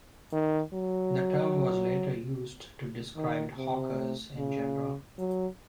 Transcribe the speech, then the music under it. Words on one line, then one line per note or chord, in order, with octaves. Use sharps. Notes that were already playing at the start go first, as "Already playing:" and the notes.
The term was later used to describe hawkers in general.
D#3
F#3
D#3
C3
C#3
F#3